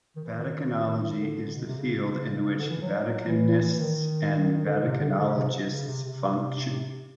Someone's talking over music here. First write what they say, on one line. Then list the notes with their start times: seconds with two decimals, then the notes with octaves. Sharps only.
Vaticanology is the field in which Vaticanists and Vaticanologists function.
0.16 D#3
0.24 E3
0.33 D#3
0.85 D#3
1.20 D3
1.54 B2
1.66 C3
1.77 C#3
2.58 D3
2.69 E3
2.81 F#3
3.27 E3
3.62 E3
3.79 D#3
4.65 D3
4.83 C3
5.00 D3
5.09 C#3
5.18 D3
5.26 C#3
5.34 C3
5.69 C#3
5.87 C3
6.04 C3